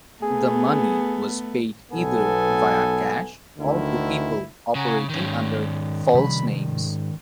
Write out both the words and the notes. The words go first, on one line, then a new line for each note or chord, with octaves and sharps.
The money was paid either via cash or to people operating under false names.
A3 B3 G#4
B1 B3 A4 G#5
D2 D3 D#3 E4
C#3 F#5 G#5 A#5
G#2 D#3 C#4
C3 F3 G3 B5
G#2